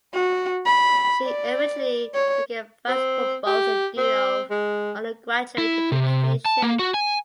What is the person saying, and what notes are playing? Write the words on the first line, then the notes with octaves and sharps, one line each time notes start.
She eventually became Vice Provost and Dean of Undergraduate Education.
F#4
B5
D5
C#5
C4
G4
C4
G#3
E4
C3
A5
A#3
F#4
G#5